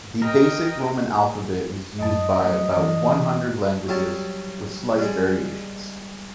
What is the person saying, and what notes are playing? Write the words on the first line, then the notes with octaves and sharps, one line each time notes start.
The basic Roman alphabet is used by about one hundred languages, with slight variations.
A#4 D#5 G5
F#2 D#5 A5
F#3 A3
E3 D5
F#3 G3 A5
G3 G#3